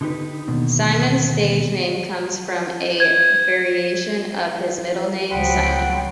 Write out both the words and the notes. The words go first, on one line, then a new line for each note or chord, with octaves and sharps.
Cymone's stage name comes from a variation of his middle name, Simon.
D3 D#4 G4 B4
D#2 B2 D3
G#6
C#2 F3 F#3 F#5 G5 B5 C6